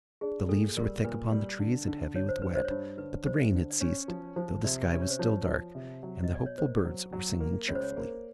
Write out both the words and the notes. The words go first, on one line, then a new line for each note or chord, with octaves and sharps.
The leaves were thick upon the trees, and heavy with wet; but the rain had ceased, though the sky was still dark; and the hopeful birds were singing cheerfully.
D4 G#4
A#2 A4
G3 A#4
A#2 B4
G3
D3
D3
D3 C#5
C5
G2 B4
C5
C#5
G2 C5
D3 B4
G3 C5
D3
D5
C#4 C#5
F3
F3 C5
C3 D5
C#4 D5
C#5
C5
F3 C#5
F3
C3
F#3
D#5
B2
D5
C#5
A#3 C5
F#3
F#3
A#3
C#2 C#5
C5
C#5
A#3